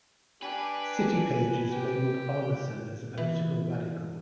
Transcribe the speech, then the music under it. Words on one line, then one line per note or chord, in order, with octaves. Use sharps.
City Pages labelled Arnason as a political radical.
D4 G4 B4 G#5
G4
E3